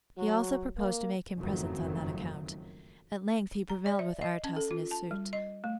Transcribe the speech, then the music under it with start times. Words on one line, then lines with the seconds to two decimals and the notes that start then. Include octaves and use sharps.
He also proposed to make him presents on that account. At length he prevailed with Aretas in his suit.
0.18 F#3
0.78 A#3
1.37 F#1 F2 G#2 D#3 F#3 A3
3.70 A#5
3.86 D5
3.99 E5
4.22 D#5
4.44 C#4
4.56 A4
4.71 F4
4.91 A5
5.11 G3
5.33 D#5
5.64 A3